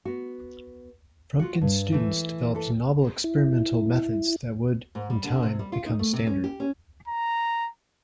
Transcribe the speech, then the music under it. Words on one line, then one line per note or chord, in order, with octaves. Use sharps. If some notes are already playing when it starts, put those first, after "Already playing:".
Frumkin's students developed novel experimental methods that would, in time, become standard.
B3 F#4
F4 F#4 F#5
G2
E3 A3
E3 A4
E4
G#2
G3
D3
C3
G3
F4
D#4
A3
C3
C#4
G4
C#4
A#5